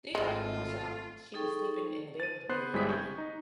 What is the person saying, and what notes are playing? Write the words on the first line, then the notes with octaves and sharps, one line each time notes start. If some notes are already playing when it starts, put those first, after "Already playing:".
Yeah, like, "I'm not shocked. She was sleeping in the bed with me and
G#1 G#3 A3 E4 F4
D#4 G#4 A4 G5 C#6
A6 D#7
B3 C5 F#6 C7
G1 G3 G#3 E4 D#6 B6
C#6 G6 G#6
D#4